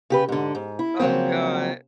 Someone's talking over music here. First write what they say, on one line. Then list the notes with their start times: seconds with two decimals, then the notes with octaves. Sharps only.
Oh, god.
0.10 C#3 G4 B4
0.28 G#2 D3
0.55 G#2
0.79 E4
1.00 C#3 F3 F#3 A#3 C4